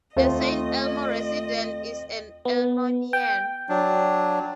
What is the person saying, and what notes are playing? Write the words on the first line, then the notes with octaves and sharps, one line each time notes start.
A Saint Elmo resident is an 'Elmoian'.
D#2 A3 C4 F4 C5 D#5
B3
G5
F#3 D4